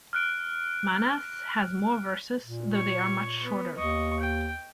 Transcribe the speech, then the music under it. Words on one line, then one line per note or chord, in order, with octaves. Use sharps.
Manas has more verses, though they are much shorter.
F6 F#6 D7
A#2
C#5 C#6
B3
D#2 D#5 C#6
G5